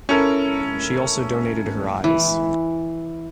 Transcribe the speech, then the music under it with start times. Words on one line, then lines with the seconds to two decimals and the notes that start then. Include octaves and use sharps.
She also donated her eyes.
0.09 C#4 E4 A4 A#4
2.04 E3